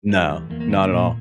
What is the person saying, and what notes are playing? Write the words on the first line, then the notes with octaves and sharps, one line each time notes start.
No. Not at all.
G3 A3
E2
E2 A#3
A#3
D3 A3
A#3
A#2 A#3